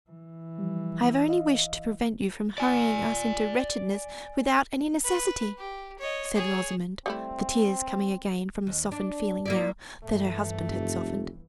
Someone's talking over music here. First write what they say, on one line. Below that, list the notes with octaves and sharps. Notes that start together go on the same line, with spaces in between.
"I have only wished to prevent you from hurrying us into wretchedness without any necessity," said Rosamond, the tears coming again from a softened feeling now that her husband had softened.
E3
F3 G3
D#5 F5
D5 G#5
B4
G4
C#5 D#5
G#4 C#5
G3 A3 C4 E4
D#2
D4
A#3 E4 D5
G1 E3 A3
F1